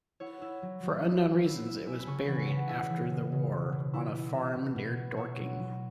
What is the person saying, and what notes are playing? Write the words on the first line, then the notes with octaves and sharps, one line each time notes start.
For unknown reasons, it was buried after the war on a farm near Dorking.
E4 C#5 F#5
E4
F#3
F#3
E4
F#3
E4
E4
E4 E5 G#5
B5
C#3 G#5 C#6
G#5
E3 F#5 B5
G#5
C#3 F#5 B5
E4 E5 G#5
E3
C#3
C#3
B2
B2
E4
E4
E4
B2
B2
B3
E4 C#5 F#5
F#3
F#3